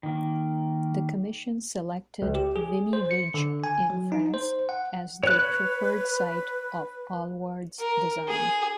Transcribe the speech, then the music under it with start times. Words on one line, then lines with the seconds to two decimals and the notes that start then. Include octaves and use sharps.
The commission selected Vimy Ridge in France as the preferred site of Allward's design.
0.03 D#3 A#3
2.22 C#2
2.35 G4
2.56 G#4
2.93 C5
3.11 C#7
3.34 D3
3.64 G#5
3.90 F#3
4.12 D#4
4.34 C5
4.69 F#5
5.23 B4 C#5 F#6
7.79 A#4
8.28 G#4